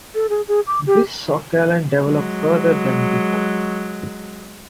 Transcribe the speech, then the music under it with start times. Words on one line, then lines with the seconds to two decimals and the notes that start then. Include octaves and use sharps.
This saw Callan develop further than before.
0.15 A4
0.29 G#4
0.48 G#4
0.67 D6
0.87 G4
2.00 F#3 G#3